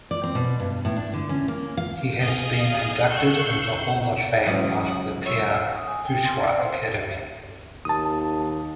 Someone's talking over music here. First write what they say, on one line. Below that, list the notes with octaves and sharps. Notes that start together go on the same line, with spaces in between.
He has been inducted in the hall of fame of the Pierre Fauchard Academy.
D5
C4
B2
G2
A2
D4
D3
C#4
A#3
F5
G#4 D#5 F5 D#6
C#6 E6 F#6 G6 C7 C#7
C#2 F#2 E3 F#3 C#4 D#6
F#5
C#5 E5 C6 C#6
D#6
G#5
G5
C6
D5
C5
D#2 A5 D#6